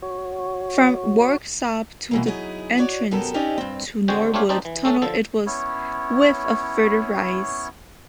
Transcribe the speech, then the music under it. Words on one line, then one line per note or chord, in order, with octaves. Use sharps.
From Worksop to the entrance to Norwood Tunnel it was with a further rise.
F#4 C#5
B2 E3 A#3
F#3 D#4 E4 G#4
F#4 C#5 D5
F#2 B2 B3 G4 A4 A#4
C4 C#4 D#4 G4 D5 D#5
G2 C4
D3 G#3 C4 F#4 G5 G#5
A3 C4 D4 G4 C#5 F5
C4 D4 D#4 G4 D5
E3
A3 C#4 A4
D3 F3 A4
B3 C#4 E4 C#5